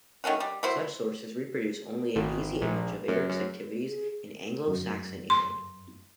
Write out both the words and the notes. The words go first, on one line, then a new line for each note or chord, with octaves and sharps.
Such sources reproduce only a hazy image of Eric's activities in Anglo-Saxon England.
D#3 A3 C#4 F#4
G3
F#3 E4 C5
G#1
A#1
F#2
F#2
G#4
F#2
C6